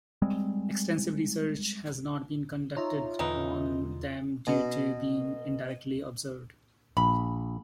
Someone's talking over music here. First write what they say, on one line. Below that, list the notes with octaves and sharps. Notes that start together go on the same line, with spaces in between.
Extensive research has not been conducted on them due to being indirectly observed.
G3 G#3 C4
D#4 F4 C#5 E5 A#5
E2 B2 D3 E3 D#4
B2
A#1 B5